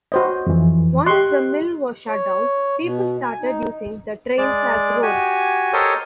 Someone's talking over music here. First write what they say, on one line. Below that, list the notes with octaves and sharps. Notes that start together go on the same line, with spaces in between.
Once the Mill was shut down, people started using the Trails as roads.
F#4 C5 D#5
F2 E3
G4 D#5 C6 C#6 F#6
C#5
B2
G#5
D#4
G#3 D5
F#4 G4 G#5
G4 A4 A#4 C5 C#5 D#5